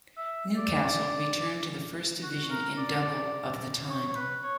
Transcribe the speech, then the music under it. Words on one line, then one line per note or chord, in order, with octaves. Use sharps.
Newcastle returned to the First Division in double of the time.
E5
D5
F#4
A#4
D5
C#5
C#5
B4
C#5